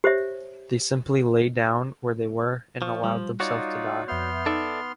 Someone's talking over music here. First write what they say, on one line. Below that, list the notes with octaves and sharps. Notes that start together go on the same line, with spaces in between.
They simply lay down where they were and allowed themselves to die.
G4 C5 C#5 E5
F3 C#6
F3 G3
D#4 F4 F#4 C#5 D5
F2 B3 E5 C6 F6 G6
D#4 A4 D5 E5